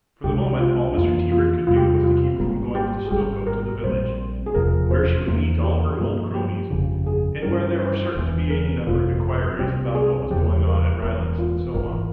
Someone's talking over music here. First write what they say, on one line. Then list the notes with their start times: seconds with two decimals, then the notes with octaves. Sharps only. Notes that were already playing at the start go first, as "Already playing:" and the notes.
For the moment all Mr. Tebrick could do was to keep her from going into Stokoe to the village, where she would meet all her old cronies and where there were certain to be any number of inquiries about what was going on at Rylands and so on.
0.24 C2 C3 F3 G#3 G4
0.59 F4
0.95 F2 E3 A#3 F4
1.32 F4
1.67 E2 C3 G3 F4
1.76 G4
1.85 F4
2.04 F4
2.39 G#1 G#2 G3 A#3
2.75 G4
3.07 G#4
3.11 G#1 G#2 G3 G4
3.47 A#4
3.83 A#1 A#2 G3 C4 C5
4.46 G#4
4.55 F1 E2 C3 F3 A#4
4.91 C5
5.27 E2 E3 A#3
5.64 G4
5.99 G2 F3 A#3
6.35 G4
6.70 G1 F2 C#3
7.07 G#4
7.42 G2 G3 C#4 A#4
7.79 C5
8.15 E1 E2 E3
8.50 A#4
8.86 G1 F2 C3 F4
9.59 C2 C3 G3 C4 G4
9.95 G#4
10.30 E1 E2 C#3 F3 G4
10.67 A#4
11.02 E1 E2 E3 A#4
11.38 F4
11.74 G#1 G#2 E3 A#4